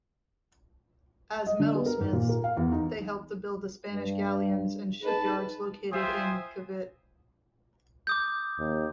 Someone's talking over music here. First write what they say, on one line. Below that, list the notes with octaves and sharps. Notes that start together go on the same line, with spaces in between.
As metalsmiths, they helped to build the Spanish galleons in shipyards located in Cavite.
D#5
D3
B3
A#4
G#2
A#2
A#4
F5
E2
D#4
G2
D#4 G#4 B4 A5
F4 C5 E5 G5 G#5 D#6
D6 D#6 G6
D#2